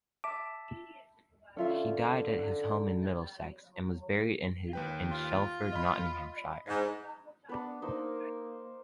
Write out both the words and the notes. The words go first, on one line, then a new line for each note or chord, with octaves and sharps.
He died at his home in Middlesex, and was buried in Shelford, Nottinghamshire.
E5 A5 D6
D3 C#4 F4 E5
D#2 B4 G5
F4
D#5 B5
G#2
B3 D4 B4
A#3 D#4 A#4 C5